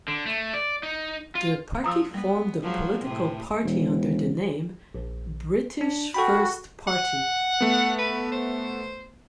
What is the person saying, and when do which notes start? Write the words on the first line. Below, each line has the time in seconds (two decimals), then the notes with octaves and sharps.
The party formed a political party under the name British First Party.
0.08 D3
0.26 A3
0.54 D5
0.83 D#4
1.35 F4
1.84 F3 A#5 D#6 E6
2.14 G3 B3
2.62 F3 F#3 G#3
3.04 A2 C3
3.64 E1
4.94 A#1
5.81 D4
6.14 F#4 A4 G5 B5
6.87 F#5
7.61 A3 B3
7.99 B4
8.32 C5